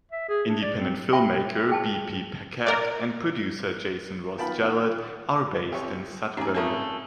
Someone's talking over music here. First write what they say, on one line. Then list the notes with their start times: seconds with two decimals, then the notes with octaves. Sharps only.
Independent filmmaker B. P. Paquette and producer Jason Ross Jallet are based in Sudbury.
0.12 E5
0.29 G#4
0.49 D4
0.62 D5
0.78 C4
1.13 E5 G5 B5
1.69 G#4 G5 A5
2.67 A#4 D5
4.38 D#3 B3 F4 G5 A5 B5
4.61 D#3 B3
5.72 C2 C#5
6.37 A1 G#2 D#3 C#4 G#4 D6
6.54 C#3 A3 C4 D4 G#4 A#4 D#6